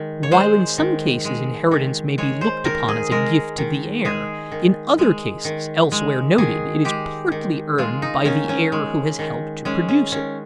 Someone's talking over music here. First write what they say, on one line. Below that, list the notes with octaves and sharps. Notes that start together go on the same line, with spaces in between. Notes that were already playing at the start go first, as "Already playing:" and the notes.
While in some cases inheritance may be looked upon as a gift to the heir, in other cases, elsewhere noted, it is partly earned by the heir who has helped to produce it.
Already playing: D#3 G#3
C#5
G#3 C5
D#3
G#3
D#3
G#3 C#5
C5
D#3 A#4
G#4
G#3 A#4
D#3
G#3 G#4
D#3
G#3
D#3
G#3
D#3 G#4
G#3 G4
D#3
G#3 F4
D#4
D#3 C#4
C#4
G#3
D#3
G#3 C#4
C#4
D#3 C#4